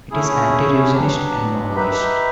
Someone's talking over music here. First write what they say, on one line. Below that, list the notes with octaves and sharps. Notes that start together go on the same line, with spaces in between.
It is Anti-Revisionist and Maoist.
A3 C#4 E4 G#4
F#3 B3 D4 G4
D#4 G4 B4 E5